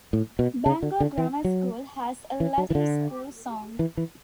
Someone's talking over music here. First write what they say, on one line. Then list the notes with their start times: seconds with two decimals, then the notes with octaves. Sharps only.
Bangor Grammar School has a Latin school song.
0.13 A2
0.39 B2
0.66 C#3
0.83 D3
1.00 D3
1.18 E3
1.45 F#3
2.40 E3
2.58 F#3
2.70 E3
2.75 D3
3.79 E3
3.97 E3